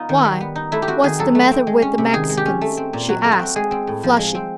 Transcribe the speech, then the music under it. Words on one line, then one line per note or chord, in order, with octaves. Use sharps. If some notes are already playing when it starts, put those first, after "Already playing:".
"Why, what's the matter with the Mexicans?" she asked, flushing.
Already playing: B3 D#4 F4
D#3
G3
B3
D#4
A3 E4
G4
C4 F#4
D#3 G#4
F#3 A4
A3
C4
G#3
C#4
C3
D#3 G#4
G#3
G4
C#4
A3
C4
A#2
F#3 F#4
A3
F#4
C4
G#3 G#4
C4
A2
F3
G#3
C4